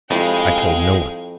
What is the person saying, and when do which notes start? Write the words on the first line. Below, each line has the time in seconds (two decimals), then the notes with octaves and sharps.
"I told no one."
0.11 F2 G#3 E4 G4 D5 F5 G5